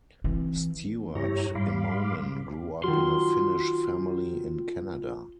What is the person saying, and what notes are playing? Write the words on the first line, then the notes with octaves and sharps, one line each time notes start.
Stuart Immonen grew up in a Finnish family in Canada.
E3 C4
G2 E4 G4 C#5 A#5
G#2 G3 F5 B5 C6 D6
D#3 F#3 F4 C6